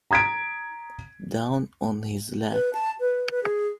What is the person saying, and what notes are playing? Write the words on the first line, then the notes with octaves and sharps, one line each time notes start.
Down on his luck.
A#5 D#6 G#6 B6 D7
B4
A5
B4
B4
G#4